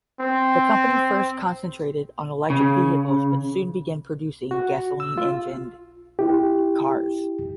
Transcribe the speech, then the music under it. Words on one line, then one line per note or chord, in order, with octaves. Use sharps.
The company first concentrated on electric vehicles but soon began producing gasoline-engined cars.
C4
C#3
F#4
E6
F4
E4 G4